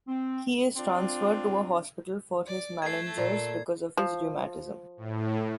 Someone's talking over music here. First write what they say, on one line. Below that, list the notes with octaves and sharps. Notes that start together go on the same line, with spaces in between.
He is transferred to a hospital for malingerers because of his rheumatism.
C4
C4 D4 F4
D5
A3 A4 G#6 C7
A#2
F3
A2